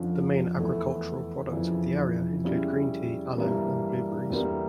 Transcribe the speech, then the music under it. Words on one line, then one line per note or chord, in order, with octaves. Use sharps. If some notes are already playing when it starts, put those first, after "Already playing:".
The main agricultural products of the area include green tea, aloe and blueberries.
Already playing: F2 D3 F3 C#4
E2 E3 A3 E4
F2 C#3 E3
C#3 G3 C#4 E4
G2 E3 G3 A#3 E4
E2 D3 G3 A#3 E4